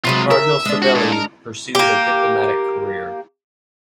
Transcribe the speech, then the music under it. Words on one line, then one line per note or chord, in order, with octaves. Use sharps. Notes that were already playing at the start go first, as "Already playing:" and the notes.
Cardinal Savelli pursued a diplomatic career.
C3 F#3 G#3 F4 B4
A#4 E5
G#3 D4
F#4
A#2
A#4
A#3 G4